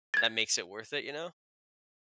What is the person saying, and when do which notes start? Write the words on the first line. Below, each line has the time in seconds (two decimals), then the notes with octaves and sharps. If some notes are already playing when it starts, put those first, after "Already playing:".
that makes it worth it, you know?
0.14 G#6 A6